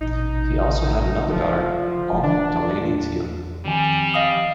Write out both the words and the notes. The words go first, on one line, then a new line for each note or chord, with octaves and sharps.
He also had another daughter, Alma Delaney Teal.
A1 D#4
F1 F3
E3 D4
F2 D#3 G3 G#5
D#5 F5 D#6